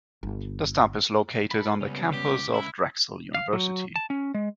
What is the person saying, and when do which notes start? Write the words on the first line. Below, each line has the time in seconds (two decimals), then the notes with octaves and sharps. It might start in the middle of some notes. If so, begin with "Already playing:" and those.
The stop is located on the campus of Drexel University.
0.23 G1
1.51 A4 B5
1.81 C#2 C#3 G3 B3 C#4
2.13 G4
2.54 E4
3.34 F5
3.53 F#3
3.96 A5
4.10 C#4
4.34 G#3